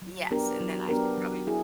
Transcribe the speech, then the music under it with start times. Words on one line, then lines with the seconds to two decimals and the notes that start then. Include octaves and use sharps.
Yes, and then I should probably
0.02 F#3
0.31 B3 D4 G4 A#4
0.60 F#3
0.89 B3 D4 G4 A#4
1.17 F#3
1.47 E4 G#4